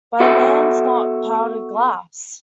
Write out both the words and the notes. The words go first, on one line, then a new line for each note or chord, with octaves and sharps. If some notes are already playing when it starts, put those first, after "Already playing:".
But a man's not powdered glass!
B3 F#4 A4 E5 F#5